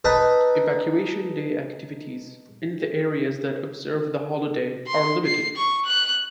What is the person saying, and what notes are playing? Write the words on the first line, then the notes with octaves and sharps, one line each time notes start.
Evacuation Day activities in the areas that observe the holiday are limited.
D#4 A4 B4
C6
C7
C#6
F#6